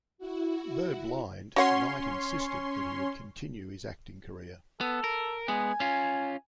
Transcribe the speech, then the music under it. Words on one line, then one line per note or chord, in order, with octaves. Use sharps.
Though blind, Knight insisted that he would continue his acting career.
E4 F#4
C#4 F#4 C#5 F#5 C6
B3 A4
A#4
G#3 B3 G#5
C#4 F4